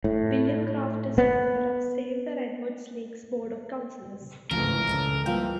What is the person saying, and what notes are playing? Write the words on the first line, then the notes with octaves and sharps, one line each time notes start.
William Croft is a member of Save-the-Redwoods League's Board of Councillors.
A2
B3
G#1 D2 C#3 E3 F3 A#4
C#2 C#3 A4 D5 D#5
A2 E3 F3 G3 A#3 F4 G5